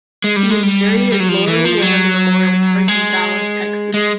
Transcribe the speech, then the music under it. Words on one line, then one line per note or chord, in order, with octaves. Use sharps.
He is buried at Laurel Land Memorial Park in Dallas, Texas.
G#3
G3
G#3
G3
G3
F#3
F3
E3
F3
F#3
G#3
G#3